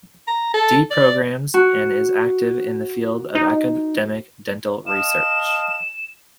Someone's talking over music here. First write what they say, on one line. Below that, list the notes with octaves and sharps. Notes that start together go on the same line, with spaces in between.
D programs, and is active in the field of academic dental research.
A#5
A4
D5
F#4
D#4
D#5 F5 A5 E7